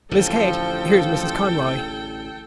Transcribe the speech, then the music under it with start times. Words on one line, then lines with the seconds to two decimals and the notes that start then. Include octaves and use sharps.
"Miss Kate, here's Mrs. Conroy."
0.11 A1 D3 F3 A4 G5